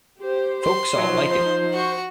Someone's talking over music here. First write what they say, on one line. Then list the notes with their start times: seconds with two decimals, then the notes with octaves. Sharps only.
Folks all like it.
0.19 G4 C5
0.64 C6
0.96 F3 F#3 D#4
1.31 C5
1.73 F#4 C#6